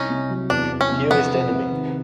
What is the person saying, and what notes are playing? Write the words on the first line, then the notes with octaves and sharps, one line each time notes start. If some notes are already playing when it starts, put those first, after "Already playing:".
Here is the enemy!
Already playing: C2 C#4 D#4
C3
F#3
E2 D4
E2
C#4
C3
F3 B3
F3
C3
D#3